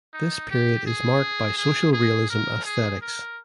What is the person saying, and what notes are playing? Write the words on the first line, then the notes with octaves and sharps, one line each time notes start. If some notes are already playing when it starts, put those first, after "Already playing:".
This period is marked by social realism aesthetics.
D#4
G4
G#4
G#4
G#4
A#4
G#4
A#4